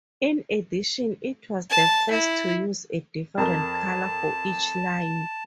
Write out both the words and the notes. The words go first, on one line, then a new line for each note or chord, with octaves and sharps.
In addition, it was the first to use a different color for each line.
A5
E4
F2 A#4 A5